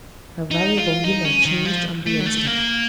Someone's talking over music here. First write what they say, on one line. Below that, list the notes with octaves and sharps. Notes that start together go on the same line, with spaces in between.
Her variable humor changed on the instant.
D#4
F4
D#4
C#4
D#3
F3
A3
F#3
A3
A#3